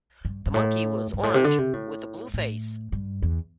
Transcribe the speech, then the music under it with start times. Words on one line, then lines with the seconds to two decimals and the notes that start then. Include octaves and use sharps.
The monkey was orange, with a blue face.
0.25 G2
0.46 G2
0.54 A2
1.13 G2
1.23 A2
1.34 C3
1.44 D3
1.58 C3
1.73 A2
2.34 A2
2.92 G2
3.22 E2